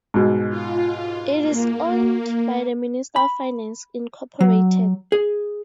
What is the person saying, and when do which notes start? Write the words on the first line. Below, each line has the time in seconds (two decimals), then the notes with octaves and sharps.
It is owned by the Minister of Finance Incorporated.
0.14 G#2 B2
0.50 F4
1.40 A#3
3.16 B5
4.40 F#3
5.12 G#4